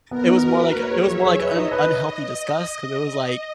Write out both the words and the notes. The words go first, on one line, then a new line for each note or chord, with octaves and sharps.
it was more like it was more like an unhealthy disgust 'cause it was like
B3 A#4
D#4
F#4 B4
F#4
A#3 C#5
G#4
F#3 E5
G#4
B4 D#5
D#4
B4